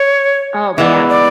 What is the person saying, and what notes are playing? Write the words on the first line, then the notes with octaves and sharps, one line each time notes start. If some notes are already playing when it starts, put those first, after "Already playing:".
oh man.
Already playing: C#5
E3 G#3 B3 D5 E5
D5